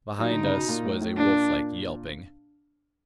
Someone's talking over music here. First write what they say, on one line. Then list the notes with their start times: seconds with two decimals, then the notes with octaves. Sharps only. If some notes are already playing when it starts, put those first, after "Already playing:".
Behind us was a wolflike yelping.
0.19 F#3 D#4
0.31 D3
0.43 C#3
0.55 B2
0.68 A#2
0.85 A2
1.01 A2
1.17 A#2 D4